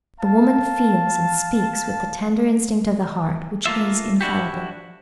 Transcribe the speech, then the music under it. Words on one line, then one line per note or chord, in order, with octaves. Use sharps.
The woman feels and speaks with the tender instinct of the heart, which is infallible.
F5 A5
A3 A#3 F4 E5
D4 E4 F#4 G4